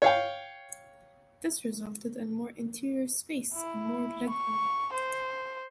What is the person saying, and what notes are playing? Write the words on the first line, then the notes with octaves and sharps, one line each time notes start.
This resulted in more interior space, and more legroom.
C#5 F5 G5
E4
C#6
C5